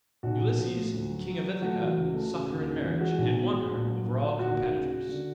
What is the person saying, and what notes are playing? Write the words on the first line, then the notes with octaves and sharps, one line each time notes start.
Ulysses, king of Ithaca, sought her in marriage, and won her, over all competitors.
B1 F#4
B1
F3
A2
D2
F#3
F#3
F#3
A3 F#4
E3
C#2
A3
C#3
D#2
C#3
E3
G#3 F#4
B1
B2
G#3
A#1
F#3
A#1
A#1
D#2 F#4
D#2
C#3
C#3
D3